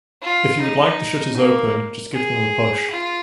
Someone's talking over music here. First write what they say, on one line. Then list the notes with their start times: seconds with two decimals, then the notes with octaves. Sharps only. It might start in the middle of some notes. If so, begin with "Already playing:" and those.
If you would like the shutters open, just give them a push.
0.23 F4
0.61 D#4
1.37 A#3
2.14 G#4
2.90 F4